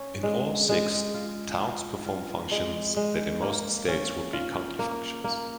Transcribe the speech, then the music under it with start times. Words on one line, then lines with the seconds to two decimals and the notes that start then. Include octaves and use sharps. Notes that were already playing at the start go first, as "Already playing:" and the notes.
In all six, towns perform functions that in most states would be county functions.
Already playing: C#4
0.23 G#3
0.69 G#3
1.14 F4
1.60 F4
2.06 F4
2.51 G#3
2.97 G#3
3.42 A#3
3.88 C#4
4.33 F4
4.79 A#3
5.24 A#3